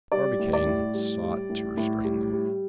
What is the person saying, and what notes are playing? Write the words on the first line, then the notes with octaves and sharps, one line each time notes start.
Barbicane sought to restrain them.
G3 D5
A2
D5
A2
G3
G3
A2
A2
G3
G3